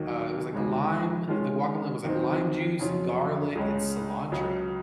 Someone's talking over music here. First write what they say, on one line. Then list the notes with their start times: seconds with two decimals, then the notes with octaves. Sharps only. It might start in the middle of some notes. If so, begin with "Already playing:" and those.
Uh, it was like lime The guacamole was like lime juice, garlic, and cilantro
Already playing: D#2 D#3 F#3
0.53 D#2 C#3 G#3
1.28 D#3 G#3 C#4 F4
2.05 D#2 D#3 F#3 C4 D#4
2.79 F2 C#3 F#3 C#4 F4
3.55 C#2 C#3 G#3 C#4
4.32 C#2 C#3 F#3